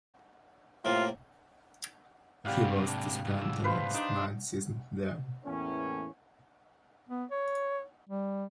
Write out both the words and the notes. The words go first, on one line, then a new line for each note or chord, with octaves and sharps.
He was to spend the next nine seasons there.
A2 C3 A#3 F4
G#2 C3 G3 F5 F#5
D4
C2 G#2
E6
B4 C5 F5
D4 D#4 D#5 C6
E2 A2 A#3 C#4
B3
C#5
G3